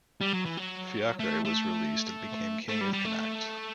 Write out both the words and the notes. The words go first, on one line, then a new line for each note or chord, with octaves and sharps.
Fiachrae was released and became king of Connacht.
G3
F#3
E3
F#3
A3
A3
A3
G3
G3
A3